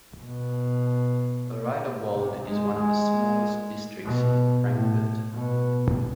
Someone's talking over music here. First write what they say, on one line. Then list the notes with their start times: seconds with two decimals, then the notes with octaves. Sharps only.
Riederwald is one of the smallest districts in Frankfurt.
0.22 B2
2.13 C3
2.45 G#3
2.77 G#3
4.04 B2
4.69 A2
5.32 B2